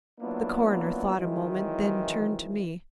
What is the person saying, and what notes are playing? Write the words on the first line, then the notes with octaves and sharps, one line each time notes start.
The coroner thought a moment, then turned to me.
F#3 A#3 B3 D4 E4 F4
D#3 E3 F#3 G#3 C4 E4